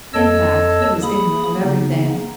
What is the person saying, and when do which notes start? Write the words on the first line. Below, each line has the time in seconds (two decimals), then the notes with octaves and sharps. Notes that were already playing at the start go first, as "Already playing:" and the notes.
In fact, he was ignorant of everything.
0.14 F2 A4 C#5 D#5 A5 E6
1.02 A#3 G#4 B5 D#6
1.62 C#3 A#3 B3 D#4